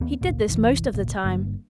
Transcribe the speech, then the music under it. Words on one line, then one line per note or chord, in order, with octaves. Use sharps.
He did this most of the time.
D#2 A#3 B3
G#1 D2 A#2
F#1 B1 B2 E3
D1 G#1 A#2 C#3
G1 G2 D3 A#3